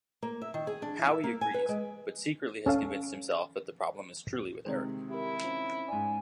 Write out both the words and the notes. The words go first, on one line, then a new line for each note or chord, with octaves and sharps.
Howie agrees, but secretly has convinced himself that the problem is truly with Eric.
A#3
E5
D#3
G#4
D4
E3
E5
A#3
G#5
B4
G#3
C#4 A4 F5
C3 D#3 G#3
E4 G4 A#4
C#4 F4 C5
G#2 D5 G#5